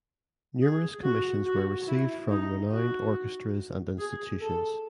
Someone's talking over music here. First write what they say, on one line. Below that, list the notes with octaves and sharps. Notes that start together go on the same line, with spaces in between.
Numerous commissions were received from renowned orchestras and institutions.
G#4
F#4
F#4
E4
D#4
F#4
G#4
A4